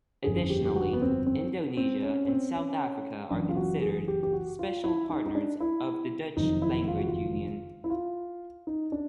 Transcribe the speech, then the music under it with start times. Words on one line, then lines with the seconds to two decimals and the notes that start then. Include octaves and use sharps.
Additionally, Indonesia and South Africa are considered "special partners" of the Dutch Language Union.
0.24 G1 F2 C#3 G#4
0.50 G4
0.65 G4
0.76 F#4
0.93 B3
1.02 C4
1.27 C4
1.77 C4
2.03 C#4
2.25 C#4
2.28 C4
2.54 C#4
3.30 F#1 F#2 C#3 E3 D4
3.49 F4
3.56 F#4
3.82 G#4
4.08 G4
4.23 G4
4.33 F#4
4.59 F4
4.84 E4
5.10 D#4
5.26 D#4
5.35 D4
5.60 E4
6.36 F#1 F2 C3 D#3 D#4
6.62 E4
6.88 F4
6.97 F#4
7.07 F4
7.84 E4
7.90 F4
8.67 D#4
8.92 D4